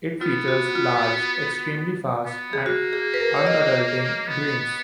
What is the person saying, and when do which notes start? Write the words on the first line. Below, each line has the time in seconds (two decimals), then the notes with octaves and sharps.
It features large, extremely fast, and undulating greens.
0.21 B3 F4
0.48 F#4
0.75 F4
2.25 B3
2.53 G#4
2.65 A#3 F#4
2.93 G#4
3.14 B4
3.20 A#4
3.36 C#5
3.47 D#5
4.28 B3